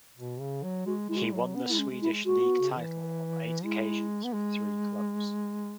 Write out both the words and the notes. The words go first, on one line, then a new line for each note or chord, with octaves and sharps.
He won the Swedish League title on eight occasions with three clubs.
B2
C#3
F#3
G#3 F#4
G#3 E4
F#4
E4
F#3
B3 C#4
G#3 E4
C#4
G#3
E4
G#3
G#3 F#4
B3
C#3
E3
G#3 E4
B3
G#3